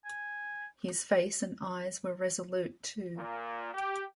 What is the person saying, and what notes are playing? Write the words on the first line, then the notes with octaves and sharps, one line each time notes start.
His face and eyes were resolute, too.
G#5
A#2
G4